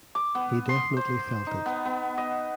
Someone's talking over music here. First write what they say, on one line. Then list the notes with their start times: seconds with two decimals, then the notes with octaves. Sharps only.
He definitely felt it.
0.15 D6
0.35 B3
0.69 C6
0.97 C5
1.47 D#4
1.66 B3
1.85 B3
2.18 D#5